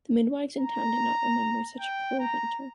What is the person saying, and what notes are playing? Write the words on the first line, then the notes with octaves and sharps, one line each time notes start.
The midwives in town did not remember such a cruel winter.
A#5
G5
A#5